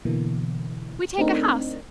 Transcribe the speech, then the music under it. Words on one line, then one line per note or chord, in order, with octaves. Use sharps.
We take a house.
B2 D3 E3 A#3
A3 C4 D4 D#4 A#4